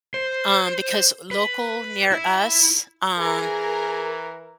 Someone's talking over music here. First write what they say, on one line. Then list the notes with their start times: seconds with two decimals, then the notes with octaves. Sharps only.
um, because local near us, um,
0.14 C5
1.31 B4
2.12 E4
3.19 E3 G#4 A#4